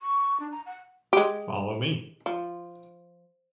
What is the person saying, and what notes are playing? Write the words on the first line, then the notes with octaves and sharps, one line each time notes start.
Follow me.
C#6
D4
A#5
F#5
G#3 G4
F3